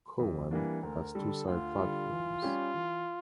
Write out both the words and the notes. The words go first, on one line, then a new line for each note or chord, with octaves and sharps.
Cowan has two side platforms.
F2
E3 G3 A#3 D4
D2 A#4
D3 G3 A4
D2 F4
D3 G3
E3
G3 C#4 G4
E3